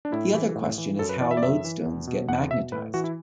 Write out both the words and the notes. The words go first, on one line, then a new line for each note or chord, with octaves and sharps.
The other question is how lodestones get magnetized.
D4
A2 E4
E3
A2
E3
F#2 A4
B4
E3 D5
E5
D5
F#2 E5
E3
E2
B2
E2 F#5
B2 E5
A2 B4
E3 F#4
E4